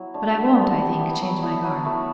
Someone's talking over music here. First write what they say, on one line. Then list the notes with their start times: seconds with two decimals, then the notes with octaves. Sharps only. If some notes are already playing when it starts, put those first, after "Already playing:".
But I won't, I think, change my garb.
Already playing: F#3 B3 E4 F#4
0.14 A3 D4
0.35 D3
0.57 G3 B3
0.78 G3
1.00 B3 E4 G4
1.21 F#3
1.42 B3 E4 A4
1.63 F#3
1.85 A3 E4 A4